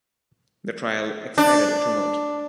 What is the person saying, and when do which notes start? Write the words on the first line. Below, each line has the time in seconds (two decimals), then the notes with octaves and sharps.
The trial excited a tumult.
1.38 D4